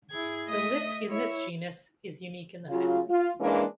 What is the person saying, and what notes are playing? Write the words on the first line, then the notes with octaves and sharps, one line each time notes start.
The lip in this genus is unique in the family.
E4 G#4 G#6
A3 D#5 E5 D#6
E4 C#5 E5
C#3 F#3 F4
F4
E3 G#3 A#3 C#4 D4